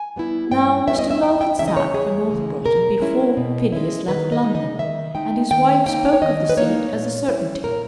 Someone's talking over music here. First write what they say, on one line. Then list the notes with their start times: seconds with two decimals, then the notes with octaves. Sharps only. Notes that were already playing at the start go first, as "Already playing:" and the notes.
Now Mr. Low had sat for North Broughton before Phineas left London, and his wife spoke of the seat as a certainty.
Already playing: G#5
0.16 G3 B3 E4
0.51 G2 G5
0.87 G3 B3 E4 E5
0.99 D#5
1.10 E5
1.23 E2 G5
1.41 G5
1.58 C#3 E3 G#3 C#4 E5
1.68 D#5
1.77 C#5
1.94 E2 G#4
2.30 C#3 E3 G#3 C#4
2.66 B2 A#4
3.00 G#3 C#4 E4
3.37 B2
3.72 G#3 C#4 E4
4.08 D#3 B4
4.32 D#5
4.43 G#3 D#4
4.55 D#5
4.79 D#3 E5
5.15 G#3 D#4 G5
5.50 D#3 G5
5.86 A#3 D#4 G5
6.13 C#5
6.22 D#3 D#5
6.49 B4
6.57 A#3 D#4 C#5
6.93 A#2
7.28 G3 C#4 E4
7.64 A#2 A#4